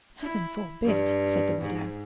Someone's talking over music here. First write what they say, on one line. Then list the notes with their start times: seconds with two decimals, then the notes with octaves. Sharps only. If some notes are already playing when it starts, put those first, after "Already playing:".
"Heaven forbid!" said the widow.
0.22 E4
0.85 G2
1.62 G#2